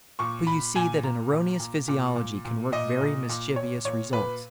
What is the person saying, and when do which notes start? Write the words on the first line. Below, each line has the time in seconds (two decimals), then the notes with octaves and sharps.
So you see that an erroneous physiology can work very mischievous results.
0.19 A#2 C#6
0.47 A#2 B5
0.75 A#2 G#5
1.03 A#2 A#5
1.32 A#2
1.60 A#2
1.88 A#2
2.16 A#2
2.45 A#2
2.72 A#2 D#5
3.01 A#2
3.29 A#2
3.56 A#2 C#5
3.85 A#2 C#5
4.13 A#2 B4